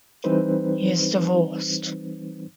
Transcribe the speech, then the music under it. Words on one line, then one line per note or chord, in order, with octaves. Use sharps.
He is divorced.
E3 G3 C4 D#4 B4 C5